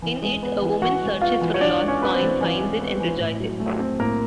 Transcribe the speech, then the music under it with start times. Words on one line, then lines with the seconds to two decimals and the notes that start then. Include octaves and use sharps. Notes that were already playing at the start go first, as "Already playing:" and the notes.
In it, a woman searches for a lost coin, finds it, and rejoices.
0.02 E3
0.22 G#3
0.43 B3
0.62 E3
0.82 E3 F#4 F#5
1.02 G#3
1.22 B3 F4 F5
1.41 E3
1.54 C#5
1.61 E3 D4 D5
1.81 G#3
1.88 C#4 C#5
2.01 B3 B4
2.14 C4 C5
2.21 E3
2.41 E3
2.61 G#3
2.81 B3
3.01 E3
3.20 A2
3.40 F#3
3.60 A3
3.80 C4
4.00 A2 A#3 A#4